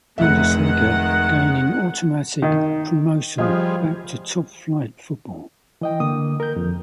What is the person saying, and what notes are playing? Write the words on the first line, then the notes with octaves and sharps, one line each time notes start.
Bundesliga gaining automatic promotion back to top flight football.
F1 D#3 G#3 E5 F#5
D#3
F3 G3 F4 G#4 D#5
E3 D#5 G5
D3 A#3 D#6
A#4 G6
F2